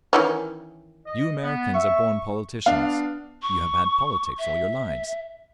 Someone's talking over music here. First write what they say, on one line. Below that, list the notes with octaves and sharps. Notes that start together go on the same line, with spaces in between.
You Americans are born politicians; you have had politics all your lives.
D#3 E3 C#4
D#5
B3
E5 C#6
B3 D4 F5
C#6
E5